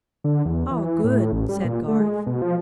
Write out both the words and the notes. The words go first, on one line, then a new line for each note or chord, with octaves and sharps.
"Ah, good!" said Garth.
D3
E2
E3
A2
A1
G3
A#2
A3
G#3
B2
F3